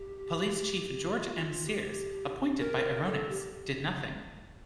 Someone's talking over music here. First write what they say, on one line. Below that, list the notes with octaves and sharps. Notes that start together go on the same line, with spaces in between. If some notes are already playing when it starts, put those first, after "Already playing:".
Police Chief George M. Sears, appointed by Irones, did nothing.
Already playing: G4
F4
G4
A#4
A4
G4